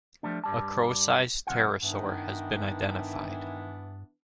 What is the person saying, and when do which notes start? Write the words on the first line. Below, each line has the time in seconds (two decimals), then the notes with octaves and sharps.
A crow-sized pterosaur has been identified.
0.23 F3 G3 A3 D4
0.44 G2 G3 A5
1.47 F#2 C3 F4 F#5
1.83 G2 D#3 E3 B3 D4